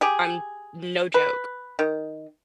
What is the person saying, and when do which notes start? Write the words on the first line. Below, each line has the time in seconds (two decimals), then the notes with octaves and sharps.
I'm no joke.
0.01 G4 G#4
1.14 B4
1.79 D#3